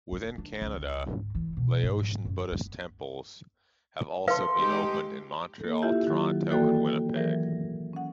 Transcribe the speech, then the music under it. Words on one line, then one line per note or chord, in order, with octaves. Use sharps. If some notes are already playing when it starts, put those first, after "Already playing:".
Within Canada, Laotian Buddhist temples have also been opened in Montreal, Toronto, and Winnipeg.
D#4
D4
C#2
G#2
E3
B2
G#2
F#2
B3
A4 B4 F5 C6
G#3 D#4 G4
A#3 A4
E4 F4 G4 E5
D#3 F#3
E3 A#3 F#4 A4 D5 G5
E3 F#3 G#4 A#4
C#4 F#5